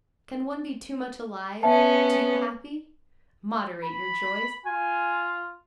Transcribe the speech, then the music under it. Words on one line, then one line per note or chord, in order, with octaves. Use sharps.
Can one be too much alive, too happy? Moderate your joys.
B3 C#4 E5 A5
B5
F4 G#5